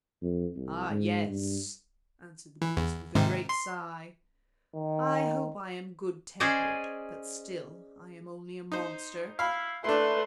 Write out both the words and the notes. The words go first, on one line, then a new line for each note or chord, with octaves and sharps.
"Ah! yes," answered the beast, with a great sigh; "I hope I am good-tempered, but still I am only a monster."
F2
C2
G#2
G2
E3
E2
G#2 C3 D#3
C6
D#3
C#4 G#4 C5 D5 D#5
D#4 C5
E4 F5 B5
A3 D4 E4 B4 C6